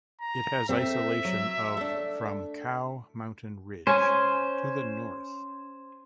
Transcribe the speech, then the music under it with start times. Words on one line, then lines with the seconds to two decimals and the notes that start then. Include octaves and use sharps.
It has isolation of from Cow Mountain Ridge to the north.
0.21 A#5
0.69 A3 C4 E5
1.25 F#3
1.77 A3 D4
3.87 C#4 C5 G#5